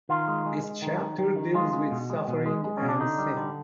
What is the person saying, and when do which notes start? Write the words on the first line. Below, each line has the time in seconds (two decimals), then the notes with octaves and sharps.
This chapter deals with suffering and sin.
0.09 D#3 F4
0.28 G#3
0.46 G#3
0.64 G#3
0.82 D#3
1.00 D#3
1.19 D#3
1.36 D#3
1.54 G#3 F4
1.73 G#3
1.91 B2
2.10 G#3
2.28 B2
2.46 G#3
2.64 G#3
2.77 B2 C#4
2.89 D4
3.00 D3 D#4
3.18 G3
3.37 D3